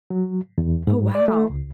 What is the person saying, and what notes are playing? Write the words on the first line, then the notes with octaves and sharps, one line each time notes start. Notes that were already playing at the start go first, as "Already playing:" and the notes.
Oh, wow.
F#3
E2
G#2
D5
A3
C#2